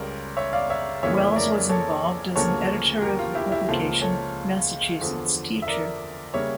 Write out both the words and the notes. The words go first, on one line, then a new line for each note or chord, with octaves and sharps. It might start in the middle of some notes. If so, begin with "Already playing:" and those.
Wells was involved as an editor of the publication "Massachusetts Teacher".
Already playing: C#2 C#3 G3 A#4 D5
C#5 E5
D5 F5
C#5 E5
F2 C#3 E3 A#3 C#5 E5
A#4 D5
A4 C#5
D2 C#3 F3 A#3 A4 C#5
G4 A#4
F4
E4 G4
E4 G4
C#2 C#3 F3 A#3 F4 A4
A4 C#5
E2 D3 F3
E5
A#4 D5
C#3 G3 A#3 C#5 E5